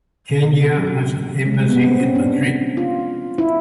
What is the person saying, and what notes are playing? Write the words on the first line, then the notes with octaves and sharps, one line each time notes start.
Kenya has an embassy in Madrid.
B2
C3
C#3
F#3
G#3
G3
B3
C4
C#4
D4
F4
E4